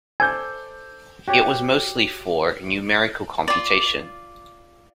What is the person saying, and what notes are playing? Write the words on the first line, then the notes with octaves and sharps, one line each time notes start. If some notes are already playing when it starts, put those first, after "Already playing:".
It was mostly for numerical computation.
A4 C5 D5 G#5 E6 G6
F#4 G4 C#5 G5
F4 D5